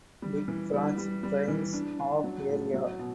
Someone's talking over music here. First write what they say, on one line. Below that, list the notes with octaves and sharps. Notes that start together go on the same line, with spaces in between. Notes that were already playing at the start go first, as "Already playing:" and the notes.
Big Branch drains of area.
G3
E3
G3
G3
G3
E3
D4
D4
F#3
A2
F#3
B2